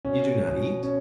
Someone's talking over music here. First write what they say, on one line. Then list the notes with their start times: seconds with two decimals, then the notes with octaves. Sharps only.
You do not eat?
0.05 B2 C#4
0.48 B2
0.83 C#4